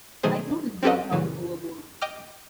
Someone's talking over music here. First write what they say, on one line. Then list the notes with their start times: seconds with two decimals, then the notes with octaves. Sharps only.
I threw his doghouse overboard.
0.23 B2 D#3 F#3 A3 G#4 C5
0.83 C4 C#4 G4 A4 B4 D#5
1.11 F#2 A#2 C#3 E3
2.01 D#5 G5 D6 F6